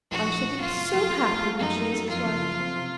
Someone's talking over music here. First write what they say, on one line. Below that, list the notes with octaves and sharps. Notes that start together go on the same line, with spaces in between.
I shall be so happy when she is his wife.
A#1 F#4
A#1
A#1
F#2 F4
C#3
F#2
F#2
A3
A3
F#2 D#4
A#3
F#2
F2 F4
C#3
F3
C4
C3